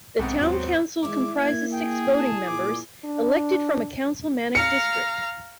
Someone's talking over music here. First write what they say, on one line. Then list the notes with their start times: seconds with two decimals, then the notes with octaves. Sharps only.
The Town Council comprises six voting members, elected from a councilmanic district.
0.19 B1 G#2 C3 B3 C4
0.41 D#2 F#3
1.03 E2 D#3 G#3 E4 C#5 D5 D6
1.37 A#3 G#6
1.72 G#4 G5
2.18 A5
2.46 A#2 D6
3.05 D4
4.55 F5 A#5 C#7